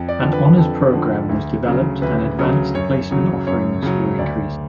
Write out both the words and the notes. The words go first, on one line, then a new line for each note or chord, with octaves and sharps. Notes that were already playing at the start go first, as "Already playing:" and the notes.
An honors program was developed and Advanced Placement offerings were increased.
Already playing: F2
D5
D3 F3
B4
F2 A4
D3 F3
D2
C#3 F#3
D2 B4
C#3 F#3
F#2 C#5
C#3 F#3
F#2 C#5
C#3 F#3
D2 D5